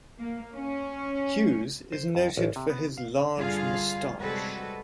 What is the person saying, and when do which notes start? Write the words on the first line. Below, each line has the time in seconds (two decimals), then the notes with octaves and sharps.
Hughes is noted for his large moustache.
0.18 A#3
0.55 C#4
1.92 C5
2.15 F2
2.37 A1
2.56 C3
2.70 B3
2.97 F5
3.35 G2 D3 F4 G#4 F5
4.18 C3 G3 G#3 F#4 A4 B4